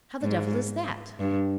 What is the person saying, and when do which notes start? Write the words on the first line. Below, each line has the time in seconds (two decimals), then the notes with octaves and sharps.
"How the devil is that?"
0.22 G#2
1.19 G2